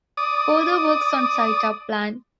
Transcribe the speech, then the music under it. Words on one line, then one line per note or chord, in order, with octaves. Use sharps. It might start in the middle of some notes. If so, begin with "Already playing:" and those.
Further works on site are planned.
D5 D#6